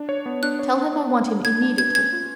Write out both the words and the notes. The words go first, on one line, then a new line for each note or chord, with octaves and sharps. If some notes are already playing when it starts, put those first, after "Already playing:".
"Tell him I want him immediately."
Already playing: D4
C#5
B3
D4 F#6
C#5
C#5
D4
D4
D4
D4 G#6
D4
B4 G#6
C#4 G#6
F4